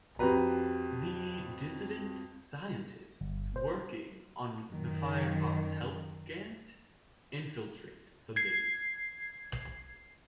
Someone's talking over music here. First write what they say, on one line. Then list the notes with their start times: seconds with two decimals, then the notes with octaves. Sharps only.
The dissident scientists working on the Firefox help Gant infiltrate the base.
0.19 F2 F#4 G4 B4 A#5
3.21 G1
3.56 C5
4.68 F#2 D#3
8.36 G#6 C7